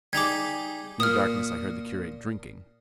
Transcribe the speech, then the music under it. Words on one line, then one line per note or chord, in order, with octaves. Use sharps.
In the darkness I heard the curate drinking.
G3 D#4 G#4 D6 G#6
A#2 D#6 F6